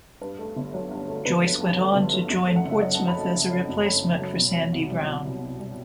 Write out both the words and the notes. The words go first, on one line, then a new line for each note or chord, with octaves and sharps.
Joyce went on to join Portsmouth as a replacement for Sandy Brown.
G2 B4
A3
G1
F#3
G2
A3
G1 B4
F#3
G2
A3
G1
F#3
F#2
A3
F#5
F#1 E5
F#3 D#5
A5
F#2
B5
A3 A5
F#1
F#3
F#2
A3 B5
F#1
F#3
B2
C2
C2
G3
B2
C2
C2
G3